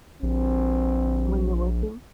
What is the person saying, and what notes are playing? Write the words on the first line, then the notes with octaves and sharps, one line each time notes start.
When you're working?
A#1 C4